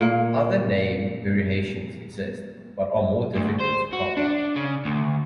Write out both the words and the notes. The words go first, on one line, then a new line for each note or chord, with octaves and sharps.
Other name variations exist, but are more difficult to come by.
A#2 A#3
D2
C5
F#4
D4
C#3
D2